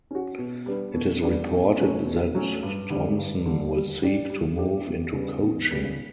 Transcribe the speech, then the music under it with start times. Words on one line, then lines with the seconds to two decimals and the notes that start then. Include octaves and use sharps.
It is reported that Thompson will seek to move into coaching.
0.11 C#4 F#4
0.38 B2
0.66 G3 B3 D4
0.94 B2
1.23 G3 B3 D4
1.51 B2
1.78 F#3 A3 C#4
2.06 B2
2.35 F#3 A3 C#4
2.63 G2
2.90 D3 G3 D4
3.18 G2
3.46 D3 G3 D4
3.74 G3
4.02 D4 G4 D5
4.30 G3
4.58 D4 G4 D5
4.86 E2
5.14 C#3 G3 B3
5.42 E2
5.70 C#3 G3 B3